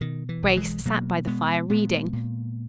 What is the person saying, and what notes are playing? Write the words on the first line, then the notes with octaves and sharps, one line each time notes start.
Grace sat by the fire reading.
B2 D#3
E3
B1
E3 G#3
B2 F#3 A#3
B2 G#3 B3
A#2 G#3 B3
A#2